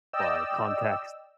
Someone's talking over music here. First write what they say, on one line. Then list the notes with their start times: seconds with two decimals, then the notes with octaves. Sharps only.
by context,
0.13 D5 D#5 G5 E6